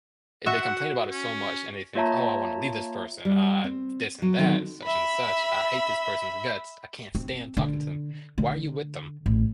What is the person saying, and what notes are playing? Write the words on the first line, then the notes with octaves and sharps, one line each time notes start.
and they complain about it so much and they think, "Oh, I wanna leave this person, uh this and that, such and such, I hate this person's guts. I can't stand talking to 'em." Why are you with them?
F#4 E5 F#5
C#4
A#3 F4 C#5 E5 A5 A#5
G3
C4
F#3
D3 D#3 F#3 B3 C4
E5 B5
C4
D3
D3
A1